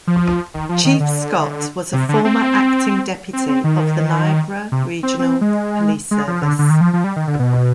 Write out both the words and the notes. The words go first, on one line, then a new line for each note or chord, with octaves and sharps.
Chief Scott was a former Acting Deputy of the Niagara Regional Police Service.
F3
D#3
F3
D#3
D3
C3
D3
C4
C4
C4
D#3
C3
C4
C4
G#3
G#3
F3
D3
D3
D#3
F3
F3
G3
D#3
D3
B2